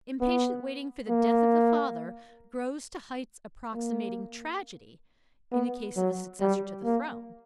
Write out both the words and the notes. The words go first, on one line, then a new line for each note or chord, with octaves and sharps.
Impatient waiting for the death of the father grows to heights approximating tragedy in the case of a successor to the throne.
B3
A#3
A#3
B3
F#3
G3
A#3